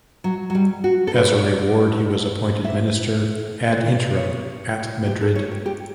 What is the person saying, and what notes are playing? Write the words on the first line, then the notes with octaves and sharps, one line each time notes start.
As a reward he was appointed minister "ad interim" at Madrid.
F#3
F#3
G3
F#4
A4
B4
C#5
D5
E5
D5
C#5
G4
A4
C#5
G4
G4